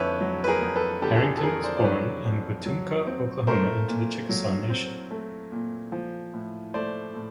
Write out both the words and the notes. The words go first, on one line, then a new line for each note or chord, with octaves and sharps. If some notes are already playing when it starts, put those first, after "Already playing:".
Herrington was born in Wetumka, Oklahoma into the Chickasaw Nation.
Already playing: F2 D3 B4 C#5 E5
F#3
B4
G#4 A#4
F2
A4 B4
D3 G4 A4
A4
G#4
A4
F2 G#4 A#4
C5 D5
D5
F#3 B4 C#5
F2
F#3
C4
A3 A#4 C5
A#2
F#3
C4
A3
A#2
F3
A2
A3 C5 D5
A2